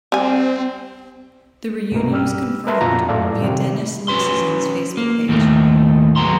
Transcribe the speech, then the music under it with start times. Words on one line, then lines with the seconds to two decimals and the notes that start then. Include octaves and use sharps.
The reunion was confirmed via Dennis Lyxzen's Facebook page.
0.12 G3 C4 G#5
1.92 C2 G2 B2 A#4
2.11 G3 G4 E6 F6
2.67 A#4 B4 E5 A5 A#5 C6
2.81 F2 A#2 F4 F#4 F#5 A#5
3.09 F#2 A2 A4 D5 F5
3.41 C3 D#3 G3
4.08 C#4 F#4 B4 C6
4.97 A#3
5.29 D#2 A2 D#3 A3
6.16 D#2 F#3 G#3 B3 A#5 C6